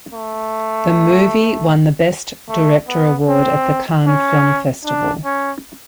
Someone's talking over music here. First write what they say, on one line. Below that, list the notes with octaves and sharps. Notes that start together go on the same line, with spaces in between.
The movie won the Best Director award at the Cannes Film Festival.
A3
A3
B3
C4
C#4
D4
C#4